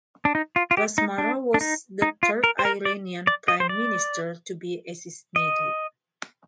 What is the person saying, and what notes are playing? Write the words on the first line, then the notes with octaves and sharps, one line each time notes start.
Razmara was the third Iranian prime minister to be assassinated.
D4
D#4
F4
F4
G4
D#4
D4
D4
D#4
D#4
F4
A#4
C5
A#4
D5
D5
D#5
C5
D5
D#5